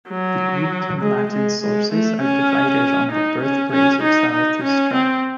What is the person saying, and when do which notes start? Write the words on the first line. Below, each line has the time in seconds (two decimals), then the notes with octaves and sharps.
The Greek and Latin sources are divided on the birthplace of Zarathustra.
0.10 F#3
1.01 G#3
1.31 G#3
1.61 G#3
1.92 A3
2.22 C#4
3.12 D#4
3.42 C#4
3.72 C#4
4.03 D#4
4.32 D#4
4.63 C#4
4.93 C4